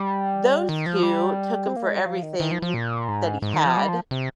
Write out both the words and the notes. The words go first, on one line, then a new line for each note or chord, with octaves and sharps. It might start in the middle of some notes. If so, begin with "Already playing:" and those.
those two took him for everything that he had,
Already playing: G3
D#3
F3
G3
C4
A#3
G#3
G3
F3
D#3
D#3
F3
F3
A#2
G#2
G#2
D#3
F3
G3
F3
C3